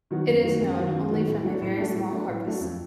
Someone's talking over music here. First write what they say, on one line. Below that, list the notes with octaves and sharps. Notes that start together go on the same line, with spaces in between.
It is known only from a very small corpus.
D#3 F#3 B3
F#2
D#3 F#3 B3
F#2
D#3 F#3 B3
F#2
D#3 F#3 B3
A2
F#3 A3 D4
A2
F#3 A3 D4
A2
F#3 A3 D4
A2
F#3 A3 D4
F2